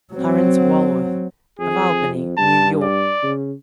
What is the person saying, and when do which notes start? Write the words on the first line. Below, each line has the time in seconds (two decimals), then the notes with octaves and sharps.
Clarence Walworth, of Albany, N.Y.
0.14 F#3 C4
1.59 F2 G#4
2.38 G2 A5
2.83 D5
3.23 C#3